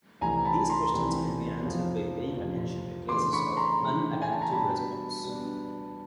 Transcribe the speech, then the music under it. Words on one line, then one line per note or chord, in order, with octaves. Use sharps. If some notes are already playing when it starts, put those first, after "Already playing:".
These questions can be answered by paying attention to cases of unadaptive response.
C2 C3 E3 A3 C4 G#5 A#5
A5 B5
A#5 C6
C2 C3 E3 A3 C4
F2 C3 F3
F2 C3 F3
C#3 E3 A3 D4 C6 D6
B5 C#6
A#5 C6
C#3 E3 A3 D4
G5
G#5
A5
A#5
B2 G3 B3 D4 A5 B5
B2 G3 B3 D4